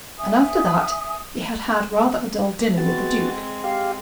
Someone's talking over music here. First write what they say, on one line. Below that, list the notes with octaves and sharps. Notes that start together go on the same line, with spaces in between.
And after that he had had rather a dull dinner with the duke.
E5 G#5 D#6
G#3 B3 C4 F#4 A6
G4 F5